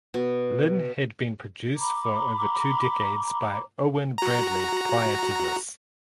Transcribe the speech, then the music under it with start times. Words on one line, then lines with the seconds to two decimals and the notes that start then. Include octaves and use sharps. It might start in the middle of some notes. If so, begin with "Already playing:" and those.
Lynn had been produced for over two decade by Owen Bradley prior to this.
0.14 B2
1.77 A#5 B5 D6
4.18 F#4 A#5